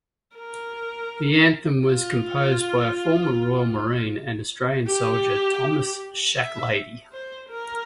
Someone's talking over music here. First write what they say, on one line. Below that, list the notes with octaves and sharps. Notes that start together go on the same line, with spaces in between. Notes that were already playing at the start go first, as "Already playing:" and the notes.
The anthem was composed by a former Royal Marine and Australian soldier, Thomas Shacklady.
A#4
F4
G4
E5
C5
A#4